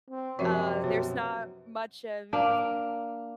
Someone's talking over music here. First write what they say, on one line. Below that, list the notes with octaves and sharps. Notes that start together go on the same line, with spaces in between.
uh, there's not much of,
C4
F#2 C3 F3 F#4 E5
B2 C#5
A#3 D4 F5